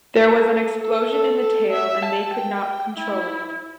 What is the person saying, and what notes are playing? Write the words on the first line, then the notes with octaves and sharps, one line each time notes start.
There was an explosion in the tail and they could not control it.
A4
A4
A4
A4
E5
A5
G5
E4